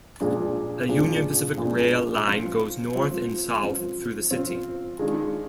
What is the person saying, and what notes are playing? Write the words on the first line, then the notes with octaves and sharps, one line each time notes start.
A Union Pacific rail line goes north and south through the city.
A#2 F3 G#3 D4
A#2 F3 G#3 D4
A#2 F3 G#3 D4
F3 C4 F4
F3 C4 F4
F3 C4 F4
F3 C4 F4
D#3 G#3 D4 F4